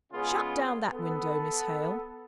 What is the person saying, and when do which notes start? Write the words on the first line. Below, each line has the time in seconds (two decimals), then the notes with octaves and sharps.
Shut down that window, Miss Hale.'
0.12 C#3 G#3 B3 C#4 F4 G#4
0.93 B3 A4